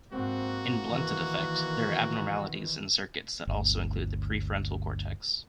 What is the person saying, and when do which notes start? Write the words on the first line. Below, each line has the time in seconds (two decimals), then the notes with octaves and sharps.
In blunted affect, there are abnormalities in circuits that also include the prefrontal cortex.
0.12 G#2 A#3 C4 F#4
0.84 D#3 E3
3.47 G1 D2